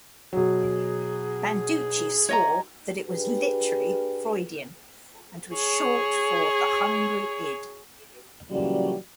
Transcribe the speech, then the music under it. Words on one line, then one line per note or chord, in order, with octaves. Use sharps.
Banducci swore that it was literally Freudian and was short for "the hungry id".
B2 F#3 G#4
C#5 D#5 A#5
D4 G4 G#4 B4
G#4 C#5
A#2 C#3 E3 F#3 G3 D5